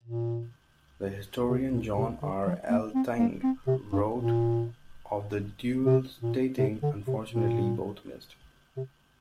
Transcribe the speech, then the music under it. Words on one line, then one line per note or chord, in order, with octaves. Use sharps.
The historian John R. Elting wrote of the duel, stating, Unfortunately, both missed.
A#2
C3
A#2
C3
D3
F3
A#3
C4
A#3
C4
C3
G2
A#2
C3
A#2
C3
D3
C3
A#2
C3